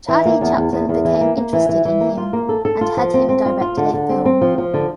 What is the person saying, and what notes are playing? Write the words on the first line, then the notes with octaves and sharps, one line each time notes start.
Charlie Chaplin became interested in him, and had him direct a film.
E3
A#3
E2
E2
E2
E2
E3
A#3
A#3
E3
E3
E3
A#3
F4
A#3
A4
A4
F4
F3
C4
C4
F4
F4
D3
D3
C4
C4
F3
F3
D3